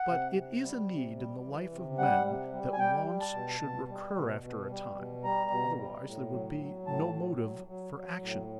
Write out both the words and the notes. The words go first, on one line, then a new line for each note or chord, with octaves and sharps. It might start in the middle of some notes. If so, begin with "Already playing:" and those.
But it is a need in the life of men that wants should recur after a time, otherwise there would be no motive for action.
Already playing: F#5
C3
C3
G3
C3
G3
E3
C3
G3 F#5
C3
G3
G#5
G3 G5
G3
A5
B2
B2
G3
B2
B2
G3
B2
G3 A#5
B2
G3
A2
F#3
F#3
A2 A5
F#3
F#3
F#3
F#3
A2